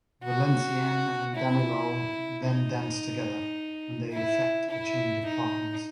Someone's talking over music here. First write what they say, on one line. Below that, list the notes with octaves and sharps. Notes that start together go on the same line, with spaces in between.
Valencienne and Danilo then dance together, and they effect a change of partners.
F#4
E4
D#4
E4
E4
D#4